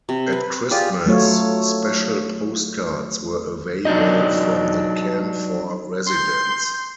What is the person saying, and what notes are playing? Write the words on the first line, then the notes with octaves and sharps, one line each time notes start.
At Christmas, special postcards were available from the camp for residents.
C3
B4
F4 G4 G#4 D5
F#3 A3 F4 C#5
F#3 D4 D#4 D#5
C6 G6